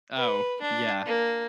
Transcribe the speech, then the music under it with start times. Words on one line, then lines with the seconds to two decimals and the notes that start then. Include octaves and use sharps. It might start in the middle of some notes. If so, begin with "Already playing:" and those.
Oh, yeah.
0.17 B4
0.62 D4
1.06 A#3